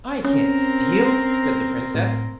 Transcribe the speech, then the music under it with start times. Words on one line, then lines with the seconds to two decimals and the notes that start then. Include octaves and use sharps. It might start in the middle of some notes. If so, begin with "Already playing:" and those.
'I can't steal', said the Princess.
0.25 C4 C#4 A#4
1.95 A2